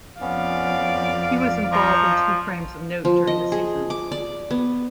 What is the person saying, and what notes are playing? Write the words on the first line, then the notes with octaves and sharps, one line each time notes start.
He was involved in two frames of note during the season.
F2 B3 C#4 D5 F5
F3 D#5 A#5 C#6
F3
D#5
G#4
D6
D5
B3